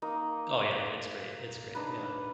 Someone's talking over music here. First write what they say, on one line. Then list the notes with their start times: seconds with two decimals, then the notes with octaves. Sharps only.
Oh, yeah, it's great, it's great, yeah.
0.02 A#3 D#4 D#5
1.75 D4 D#4 B4